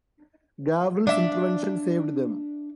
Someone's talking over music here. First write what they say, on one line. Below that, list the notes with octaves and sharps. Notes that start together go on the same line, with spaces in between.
Gavril's intervention saved them.
D4 E5